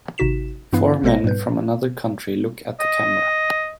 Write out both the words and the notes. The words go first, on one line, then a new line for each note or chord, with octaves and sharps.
Four men from another country look at the camera.
G#1 C3 D#4 F#4 B6 E7
G2 E3 B3 E4 B4 F5
A1 G#3 A4 C5 D#5 A#6
G#2 G3 B4 G6
D#5